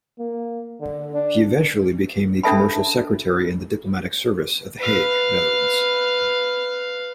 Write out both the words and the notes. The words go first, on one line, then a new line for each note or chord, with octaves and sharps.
He eventually became Commercial Secretary in the Diplomatic Service at The Hague, Netherlands.
A#3
D3
D4
C#4 D4 A4 E5 A5 B5
B4 F5